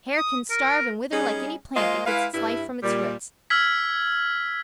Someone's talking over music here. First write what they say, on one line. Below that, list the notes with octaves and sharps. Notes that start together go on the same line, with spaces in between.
Hair can starve and wither like any plant that gets its life from its roots.
D#6
A#4
G3 C#4 D#4 G#4
G#3 A#3 F4 C5 D#5 F5
G#3 E4 B4 F5
G2 E4
A#2 G3
E6 F6 G#6 B6